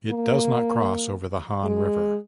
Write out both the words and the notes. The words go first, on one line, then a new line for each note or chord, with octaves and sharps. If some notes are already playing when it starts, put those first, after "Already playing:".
It does not cross over the Han River.
A#3
G#3